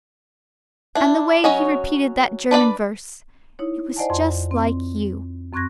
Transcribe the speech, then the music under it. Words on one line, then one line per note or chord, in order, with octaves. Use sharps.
And the way he repeated that German verse, it was just like you!
D4 E4
F#3 C#4 C#5 D#5
D4 B4 D5 B5
D#4 E4 C#5
C5 D5 D#5 F#5 G#5 A5
F2 C6
C4
F#2 C4 C#6 F#6 G#6 A#6